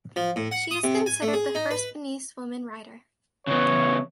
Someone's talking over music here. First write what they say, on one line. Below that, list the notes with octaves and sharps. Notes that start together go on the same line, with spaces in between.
She is considered the first Beninese woman writer.
F3
A2
F#5
D#6
C3
G#5
A3
G#4
D#4
B4
C#3 E3 B3 C#5